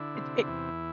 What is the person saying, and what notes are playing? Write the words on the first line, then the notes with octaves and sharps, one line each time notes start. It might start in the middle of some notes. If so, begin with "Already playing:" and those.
It it
Already playing: D3 E4
C3
E2